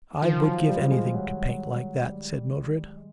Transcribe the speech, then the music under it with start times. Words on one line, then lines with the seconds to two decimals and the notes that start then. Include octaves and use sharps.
'I would give anything to paint like that,' said Mildred.
0.22 D#3 F3
0.46 F#3
0.69 G3
0.92 G#3
1.15 F#3
2.06 G3
2.97 G#3